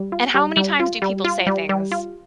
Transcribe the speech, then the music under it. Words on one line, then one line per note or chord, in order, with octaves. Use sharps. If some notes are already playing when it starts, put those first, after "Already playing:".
And how many times do people say things
Already playing: G3
F4
G3
G3
F4
G3
F4
G3
G3
F4